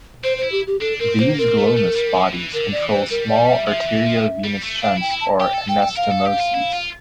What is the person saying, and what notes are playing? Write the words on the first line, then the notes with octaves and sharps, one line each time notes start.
These glomus bodies control small arteriovenous shunts or anastomoses.
C4 C5
E4 C5
G4
G4
D4 A4
C4 A#4
A#3 C5
C4 A#4
A3
A3
G3
F3
E3
D3 A#4
D5
E3
C5
G3 A#4
D5
E5
F3
E3
F3
G3
A3
D4 F5
E4 G5
E4
A5
G4 G5
A4
A4 G5
A4
A#4 F5
A4
G4
F4
E4
F4